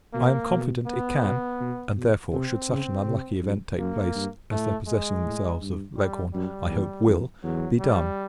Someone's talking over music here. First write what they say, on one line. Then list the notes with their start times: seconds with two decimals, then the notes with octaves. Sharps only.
I am confident, it can--and, therefore, should such an unlucky event take place, as their possessing themselves of Leghorn, I hope, will--be done.
0.14 B2 A#3
0.50 B2
0.87 B3
1.24 B2
1.60 B2
1.97 B2
2.33 C3 C4
2.69 C#3
3.06 C3
3.42 F#2
3.79 F#2 A#3
4.15 G2
4.51 A2 A3
4.87 G#3
5.24 A2
5.61 G2
5.97 G3
6.34 F#2 G3
6.70 E2
7.07 F2
7.43 E2 F#3
7.79 G3